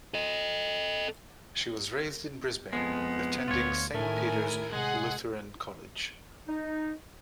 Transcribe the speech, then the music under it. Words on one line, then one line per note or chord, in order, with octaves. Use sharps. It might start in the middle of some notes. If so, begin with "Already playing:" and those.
She was raised in Brisbane, attending Saint Peter's Lutheran College.
A4 D#5
F2 G#3 B3
D2 F4 C#5
A2 D#3 A3 E4 A#4 G#5
C3 G#3 G#4 F#5
D#4